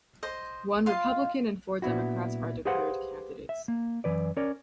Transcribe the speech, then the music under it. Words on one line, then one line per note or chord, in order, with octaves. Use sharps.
One Republican and four Democrats are declared candidates.
C5 D#5
F4 D#5 F5 C6
A#2 B3 D4 E4 F#4
G4 G#4 B4 C5 F5 F#5
E5
A#3
F#2 E3 B4 D5
C#4 A#4 C#5 D5